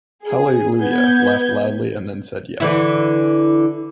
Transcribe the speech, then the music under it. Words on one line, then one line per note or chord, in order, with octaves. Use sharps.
Hallelujah", laughed loudly and then said "Yes.
G#4
B3 G6 G#6
D3 E3 E4